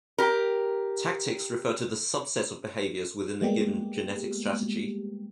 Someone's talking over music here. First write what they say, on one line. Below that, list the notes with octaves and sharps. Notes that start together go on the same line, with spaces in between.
Tactics refer to the subset of behaviors within a given genetic strategy.
G4 A#4
G3 G#3 A#3 B3 G4